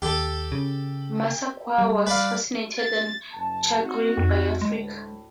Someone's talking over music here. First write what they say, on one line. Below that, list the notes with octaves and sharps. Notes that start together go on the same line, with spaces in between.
Massaquoi was fascinated and chagrined by Africa.
D#2 G4 A4
C#3
G3
B4 D5 F5
A6
F#1 A5
C4 D#4 F#4
F2
D2 A2 G#3